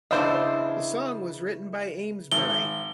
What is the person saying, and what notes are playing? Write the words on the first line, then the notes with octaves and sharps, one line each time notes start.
The song was written by Amesbury.
E2 C#3 D4 E4 C5 D#5 F5
G#1 G7